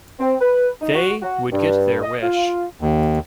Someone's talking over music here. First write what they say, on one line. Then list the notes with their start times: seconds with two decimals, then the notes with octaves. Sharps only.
They would get their wish.
0.19 C4
0.40 B4
0.81 D#4
0.95 F#4
1.22 F#4
1.52 G2
2.02 D#5
2.23 F4
2.81 D#2